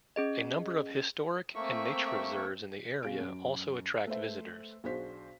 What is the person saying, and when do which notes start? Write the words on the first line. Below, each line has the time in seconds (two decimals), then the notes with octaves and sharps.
A number of historic and nature reserves in the area also attract visitors.
0.16 C#4 G#4 D#5
1.55 A3 A#3 C4 E5 C#6
3.03 B2 G3 C#4 G#4 F5 D7
3.20 F#2
4.07 A3 B4 C5 E5
4.84 B1 D4 F#4 G#4 C5 B6